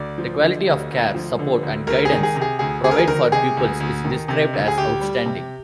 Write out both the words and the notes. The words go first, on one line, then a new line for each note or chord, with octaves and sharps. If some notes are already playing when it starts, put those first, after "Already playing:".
The quality of care, support and guidance provide for pupils is described as outstanding.
Already playing: D2 D5
F3
D3
D2
D2
F3
D3
D2
D2 A#4
G#4
D#3
G#4
C3
G#4
D2 G#4
D2 G#4
A#4
G#4
D#3 A#4
C3 G#4
D2
D2
D#3
C3
D2
G#4
D2 G4
G3
C3